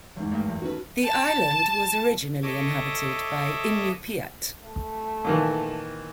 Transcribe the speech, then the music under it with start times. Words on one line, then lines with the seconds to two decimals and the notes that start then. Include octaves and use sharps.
The island was originally inhabited by Inupiat.
0.17 E2 G#2
0.31 G2 A3 A#3
0.47 E2
0.62 D#3 C#4 F#4 A4 B4
1.04 A5
2.43 A4 C#5 D#5 E5 D6 D#6
4.62 A3
5.25 A#2 D#3 E3